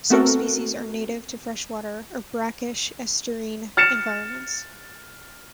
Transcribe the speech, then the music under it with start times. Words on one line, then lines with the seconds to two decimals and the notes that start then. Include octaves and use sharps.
Some species are native to freshwater or brackish estuarine environments.
0.10 A3 B3 C4 F#4 A4 A#4
3.77 F6 A6 C#7 E7